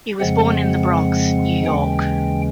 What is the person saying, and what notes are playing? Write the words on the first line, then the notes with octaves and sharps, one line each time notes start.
He was born in The Bronx, New York.
F2 C#3 F3 G#3 C4 F#5
D#2 C#3 E3 G#3 C#4 G5